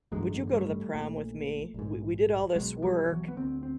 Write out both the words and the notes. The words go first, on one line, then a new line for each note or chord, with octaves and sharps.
"Would you go to the prom with me? We we did all this work,
A1 G2 D3 F#3 G#3
G3 A3
A#1 A#2
A#1 G#2
B1 B2 F#3 G#3
F3 G3
E3 F#3
B3
D2 D3 A#3 C4
C4